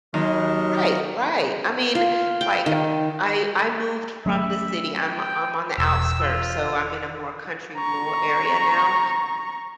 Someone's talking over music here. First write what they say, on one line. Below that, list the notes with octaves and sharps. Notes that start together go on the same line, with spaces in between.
Right, right. I mean, like, I I I moved from the city, I'm I'm on the outskirts, so, I'm in a more country, rural area now,
D#2 F#3 A#4 D#5 C#6
F4
G5
D#3
F#3 A3 C#4 E5
G5
E1 E6
F4
A#5 C#6